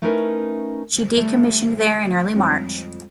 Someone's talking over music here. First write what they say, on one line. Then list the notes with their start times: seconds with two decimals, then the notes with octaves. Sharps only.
She decommissioned there in early March.
0.02 A3 C#4 D#4 E4 A#4 B4
1.17 G3 A3
2.36 F2 G3 G#3 C#5